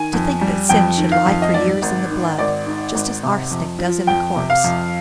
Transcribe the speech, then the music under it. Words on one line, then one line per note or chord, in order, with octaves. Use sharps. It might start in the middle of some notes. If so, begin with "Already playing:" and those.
To think that sin should lie for years in the blood, just as arsenic does in a corpse!
Already playing: D#3 G#5
F2
G3
F2 G5
D#3
F5
F2
D#5
G#2 D5
G#1
D#3
G#1 D5
G#2
G#1
C3
F2
F3
F2 G5
C3
F5
F2